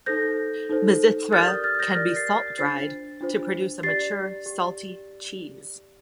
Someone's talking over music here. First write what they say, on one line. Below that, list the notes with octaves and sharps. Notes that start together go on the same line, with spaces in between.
Mizithra can be salt-dried to produce a mature salty cheese.
D#4 A4 C5 G6 A#6
D#4 A4 C5
G4 A#4 D5 F6 A6
D#6 G6
F6 A6
A6
G6 A#6
G4 A#4 D5 F6 A6
A6 C7
A6 C7
D4 F4 C5 A6 C7
D4 F4 C5
G4 D5 A6 C7
G4